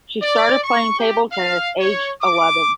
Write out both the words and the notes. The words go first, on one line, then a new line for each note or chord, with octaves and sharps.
She started playing table tennis aged eleven.
D5
C#6
G4
F5
C#5
D6